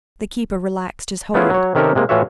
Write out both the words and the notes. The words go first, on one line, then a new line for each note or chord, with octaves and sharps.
The keeper relaxed his hold.
A3 B3 C#4 E4 F4 G#4
F#3 C#5
C3 D#3 C#4 G4 A4 A#4
C3 G#3 A#3
A2 E3 F4 F#4 C#5 E5